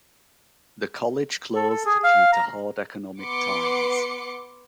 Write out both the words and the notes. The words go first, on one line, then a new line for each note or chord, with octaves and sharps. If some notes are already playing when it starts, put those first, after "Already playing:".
The college closed due to hard economic times.
A4
A4
G#4
F5
A#5
B3 B4 C6 D6 C#7